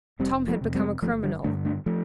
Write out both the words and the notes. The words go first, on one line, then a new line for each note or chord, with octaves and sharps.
Tom had become a criminal.
F1 G3 C4
F3 A3
F2 C3
G3 C4
G1 F3 A3
D3 G3
G2 D3 A3 D4
A3 D4
F3 A3